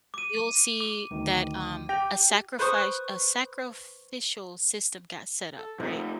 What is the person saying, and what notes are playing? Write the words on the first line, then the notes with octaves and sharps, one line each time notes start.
you'll see that, um, a sacrifice a sacrificial system got set up, right?
D6 D#7
D6
D2 D#3
G4 G5 A#6 F7
B4 C5 C#6 D#6
A4
F2 C3 F3 A3 A#3 D#4